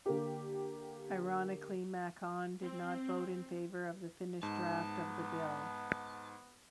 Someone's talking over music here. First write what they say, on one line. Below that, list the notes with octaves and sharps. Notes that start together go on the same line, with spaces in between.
Ironically, Macon did not vote in favor of the finished draft of the bill.
D3 A#3 G4
C4
G#2 B3 A5